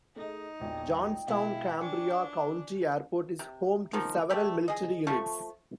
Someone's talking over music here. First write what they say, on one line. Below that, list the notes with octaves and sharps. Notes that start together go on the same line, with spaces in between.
Johnstown-Cambria County Airport is home to several military units.
A3 D#4 G#4 D#5
E1 A#1 G#3 G5
B2 G#3 E4 F5
D4 G#5 C#6 C#7
C3
D#3 F3
A3 G4 D5
G#4 D#5
F3 A3 C#6